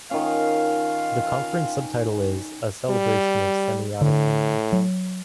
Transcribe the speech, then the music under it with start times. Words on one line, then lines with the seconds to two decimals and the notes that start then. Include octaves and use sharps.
The conference subtitle is "A Celebration of Semiotic Thinking".
0.11 D#3 C#4 F4 F5
2.89 G3
4.01 A2 D3
4.73 F#3